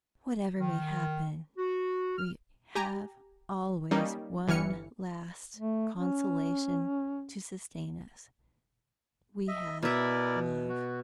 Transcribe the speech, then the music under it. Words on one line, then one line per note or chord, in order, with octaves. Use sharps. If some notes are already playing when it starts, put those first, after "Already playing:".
Whatever may happen, we have always one last consolation to sustain us--we have love.
D#3
F#4
F6
G4 G#5 A#5
G3 A#3 C#4 D#4
G1 E3 G#5 F6 C#7
A3
C#4
D#5 E5
B2 E4 A#4 D5 E5
F#4